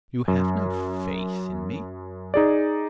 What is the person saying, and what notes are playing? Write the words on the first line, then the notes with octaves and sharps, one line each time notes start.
"You have no faith in me?"
F#2
D#4 G#4 D5